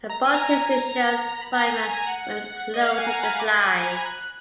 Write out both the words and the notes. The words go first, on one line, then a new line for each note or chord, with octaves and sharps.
A bolt hits the shell’s primer when closing the slide.
A#5
G#5
A#5
G#5
A#5
B5
A#5
G#5
G#5
F#5
D#5
F5
F#5
G#5
A#5
B5
D6
B5
G#5
G#5
A#5
G#6
F#6